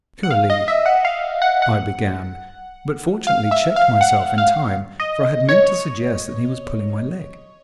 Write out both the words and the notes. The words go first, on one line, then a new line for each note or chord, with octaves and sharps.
"Surely----" I began, but fortunately checked myself in time, for I had meant to suggest that he was pulling my leg.
F#5
F5
D#5
E5
F#5
F5
F#5
F#5
F5
E5
F5
F#5
F5
D#5
C#5